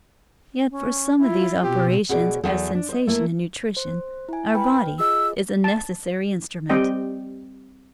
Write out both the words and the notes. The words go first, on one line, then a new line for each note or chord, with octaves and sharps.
Yet for some of these operations, as sensation and nutrition, our body is a necessary instrument.
C#4
E4 F4
B2 C4 G4
B2 F#4 G#4 C5 D5
E2 F#3 A4
D4
C5 D#5
A3 A#3 E4
C5
E4 G#5
B4 G5 B5
F4 G#4 D#5 E6
A5
G3 C4 G4 D#5 G5